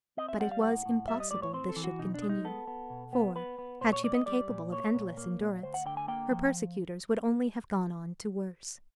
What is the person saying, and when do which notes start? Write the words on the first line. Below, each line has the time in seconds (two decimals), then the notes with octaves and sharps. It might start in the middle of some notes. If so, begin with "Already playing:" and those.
But it was impossible this should continue; for, had she been capable of endless endurance, her persecutors would only have gone on to worse.
0.17 C4 D#5
0.29 E5
0.40 G3 F#5
0.51 F5
0.63 A2 F#5
0.86 A2
1.08 G3 E5
1.20 D#5
1.31 A2 D5
1.42 C#5
1.54 C4 C5
1.69 A4
1.76 E3
1.84 F#4
1.99 B2 D#4
2.14 D4
2.22 G#3
2.29 D#4
2.45 B3 A4
2.67 B3
2.90 B2
3.13 B3
3.36 B3 B4
3.59 B3
3.81 A#2 C5
3.93 C#5
4.04 A#3 D5
4.15 D#5
4.26 G3 D5
4.49 A#2
4.72 A#3 C#5
4.94 A#2
5.17 A#3
5.40 A#2
5.62 D2 C5
5.74 F#5
5.86 D3 G5
5.97 G#5
6.08 A#3 G5
6.31 F3